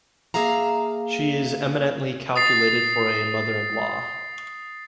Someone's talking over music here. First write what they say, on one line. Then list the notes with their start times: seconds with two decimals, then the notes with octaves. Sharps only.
She is eminently calculated for a mother-in-law.
0.34 A#3 G#4 E5 F5 A#5
2.36 D#6 A6 C7